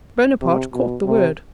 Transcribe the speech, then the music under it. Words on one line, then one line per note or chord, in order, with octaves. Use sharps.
Bonaparte caught the word.
C3
B2
C3